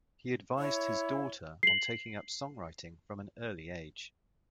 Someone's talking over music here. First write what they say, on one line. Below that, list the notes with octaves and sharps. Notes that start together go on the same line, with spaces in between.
He advised his daughter on taking up songwriting from an early age.
E4 C#5
C7 F#7